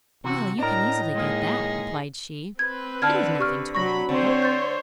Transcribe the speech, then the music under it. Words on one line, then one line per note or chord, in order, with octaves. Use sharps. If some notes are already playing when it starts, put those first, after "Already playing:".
'Well, you can easily get that,' replied she; 'it is nothing to worry about.
C3 E3 F#4
A2 D4 A#4 D#5 A#5
G#3 A#3 D#4 G#4
C4 B4 G#6
D3 A5 F6 G#6
G4 C#6 F6
F#3 C4 B5 C#6 A#6
D3 C4 C5 C#5
G6 A6